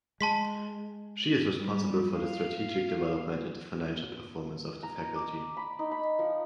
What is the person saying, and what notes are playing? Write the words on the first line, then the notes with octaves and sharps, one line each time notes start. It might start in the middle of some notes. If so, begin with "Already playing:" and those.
She is responsible for the strategic development and financial performance of the Faculty.
G#3 A5 C6 B6
G3
F5
A#5
A#5
D5
B5
D#4
B5
F3